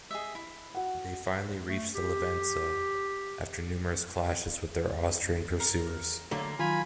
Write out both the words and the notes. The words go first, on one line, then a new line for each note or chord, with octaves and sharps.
They finally reached the Livenza after numerous clashes with their Austrian pursuers.
G#4 D#5 E5
E4
F#4 F#5
A3
G4
A#4
D3 F#3 A3 A#3
D#3 F#3 F4 G#5 B5